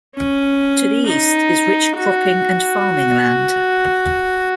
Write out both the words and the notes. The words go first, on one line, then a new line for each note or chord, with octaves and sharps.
To the east is rich cropping and farming land.
C#4
D#4
F#4